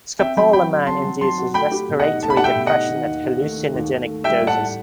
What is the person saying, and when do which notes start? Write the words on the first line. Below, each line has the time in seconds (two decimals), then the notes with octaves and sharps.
Scopolamine induces respiratory depression at hallucinogenic doses.
0.19 C4 E5 G5
0.37 F#3 G5 B5
0.53 F#3 G5 B5
0.71 F#4
0.87 C4 A5 C6
1.04 F#3
1.21 F#3 A5 C6
1.38 F#4
1.54 A3 G5 B5
1.72 G4
1.89 B2
2.00 D#5 F#5
2.05 D#4
2.22 A3 A5
2.30 B5
2.36 G4 F#5 A5
2.44 E5 G5
2.56 B2
2.66 D#5 F#5
2.73 D#4
2.89 D#3
3.06 D#2
3.23 D#2
3.40 A3
3.57 D#3
3.74 D#2
3.91 D#2
4.07 A3
4.24 G3 E5 G5
4.41 A2
4.47 F#5 A5
4.58 A2